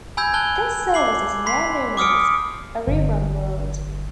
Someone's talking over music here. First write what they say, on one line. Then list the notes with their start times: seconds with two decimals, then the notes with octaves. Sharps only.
This service is now known as Arirang World.
0.17 G#5 B5 E6 G6 G#6
0.34 A5 F#6 G#6 G7
0.94 D6 C7 F#7
1.46 B5 C6 B6 C7
1.97 D6 D#6 F6 C#7 D7
2.88 G1